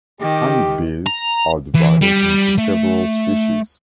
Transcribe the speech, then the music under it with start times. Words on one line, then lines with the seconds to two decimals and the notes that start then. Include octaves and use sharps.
Honey bees are divided into several species.
0.20 D#3 G4
1.07 A#5
1.75 E3
2.02 G3
2.58 A3